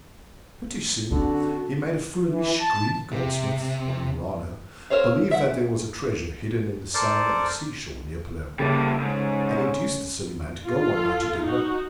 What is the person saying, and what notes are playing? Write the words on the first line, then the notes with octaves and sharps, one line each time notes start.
Pretty soon he made a foolish, greedy goldsmith, one Marano, believe that there was a treasure hidden in the sand on the sea-shore near Palermo, and induced the silly man to go one night to dig it up.
D3 C4 C#4 F#4 A4
E3
A5
C3
A4 A#4 C5 C#5 F5
E5 F#5
A4 A#4 C5 D5
C#3 G3 A#3 A4 A6
G#2 C#4
F4 A4
D#4 F#4